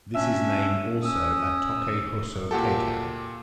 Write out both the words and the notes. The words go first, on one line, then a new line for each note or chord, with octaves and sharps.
This is name also a Tokai Hoso Kaikan.
C#4 D4 E5
C#4 D#6 E6
A#2 F#4 G4 A4